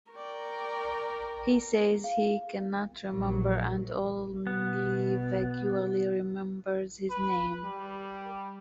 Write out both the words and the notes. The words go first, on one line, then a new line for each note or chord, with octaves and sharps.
He says he cannot remember and only vaguely remembers his name.
A#4 D5 G5 C#6
F5
A#1 F#3
B2 B3
B4
G3